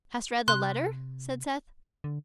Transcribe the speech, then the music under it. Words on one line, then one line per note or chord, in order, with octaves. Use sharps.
"Hast read the letter?" said Seth.
C3 C6 F#6
D3